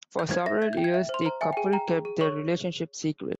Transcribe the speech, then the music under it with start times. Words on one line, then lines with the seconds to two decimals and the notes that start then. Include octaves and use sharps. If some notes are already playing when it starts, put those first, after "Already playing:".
For several years, the couple kept their relationship secret.
0.19 G6
0.31 C5 G#6
0.46 E5 A#6
0.62 E5 G#6
0.73 G5 G6
0.84 G#6
0.94 E5
1.09 C5 C6
1.25 C5 A#5
1.41 E5 G#5
1.53 G5
1.57 G#4 G#5
1.73 G5 A#5
1.89 G#4
2.05 G#4
2.21 C#5 C#6